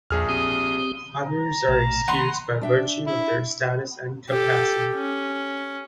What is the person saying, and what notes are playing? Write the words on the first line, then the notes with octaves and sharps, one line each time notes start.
Others are excused by virtue of their status and capacity.
A#1 E2 G#4 F6
C4 G4 D#6
A#5
A#1 A#2 A3
D#3 A#3 F#5 B5 C6
D4 E5 G5
E4
G4 A4
C#4